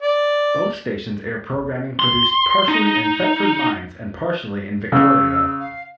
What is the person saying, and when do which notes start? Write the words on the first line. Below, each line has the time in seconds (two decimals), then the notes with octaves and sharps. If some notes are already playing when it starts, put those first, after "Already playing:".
Both stations air programming produced partially in Thetford Mines and partially in Victoriaville.
0.02 D5
2.00 C6
2.68 D#4
4.92 C#3 E6
5.59 F5